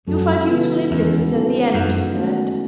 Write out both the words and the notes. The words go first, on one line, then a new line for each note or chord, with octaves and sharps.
"You'll find useful indexes at the end," he said.
F#2 G#3 C#4 F#4 A4
C#3 E3 B3
E2 D#3 G#3 C#4 E4
F#3 B3 D#4 A4
F#2 G#3 D#4 F#4
D#3 A3 C#4 F#4